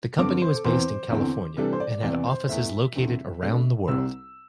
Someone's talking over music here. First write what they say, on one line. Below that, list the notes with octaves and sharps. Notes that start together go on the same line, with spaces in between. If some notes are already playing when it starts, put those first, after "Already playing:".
The company was based in California and had offices located around the world.
G2 D3 C4 D6
C5
A4
E2 E3 C4 C5
E2 D3 C4
C3 E3 G3 D4 A4
C5
D5
E2 C3 E3 C4 D5
C5
E2 E3 A3 E5
E2 D3 C4
C3 A3 D4
C2 C3 G3 C4 E6